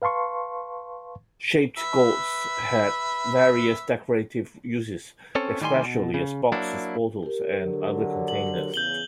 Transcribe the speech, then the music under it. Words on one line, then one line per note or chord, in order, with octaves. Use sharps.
Shaped gourds had various decorative uses, especially as boxes, bottles and other containers.
B4 F5 A5 C6 C#6
B4 E5
C4 C#4 A4 C#5
A2 D#3 G3 C5 G#5 C6
B2
C#3
F#3 A#3 D4 E4
G4 A#4
D3 F#3
F#7
E2 C#3 G6 F#7 G7